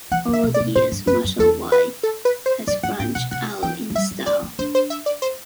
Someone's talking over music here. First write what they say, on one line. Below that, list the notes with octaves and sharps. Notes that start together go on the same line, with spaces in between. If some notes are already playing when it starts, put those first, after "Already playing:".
Over the years, Musselwhite has branched out in style.
E3 F#5
D3
E5
B2
D5
C3
A2 C5
G2
F#2 B4
F#2
E2 A4
B4
A4
B4
C5
F#2 D5
G2 F#5
A2 G5
B2 F#5
C3 F#5
E3 G5
F#3
G3 E5
G3
A3 D5
C4
D4 C5
C5
E5
D5
C5